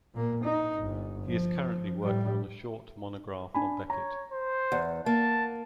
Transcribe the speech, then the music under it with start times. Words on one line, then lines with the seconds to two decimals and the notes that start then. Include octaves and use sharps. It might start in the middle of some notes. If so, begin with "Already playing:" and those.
He is currently working on a short monograph on Beckett.
0.14 A#2 A#3
0.44 D#4
0.78 G1
1.26 F3
2.03 A2 G3
3.54 D4 G#5 B5
3.90 C#5 A#5
4.32 C5
4.72 E2 F#5
5.06 A#3 A5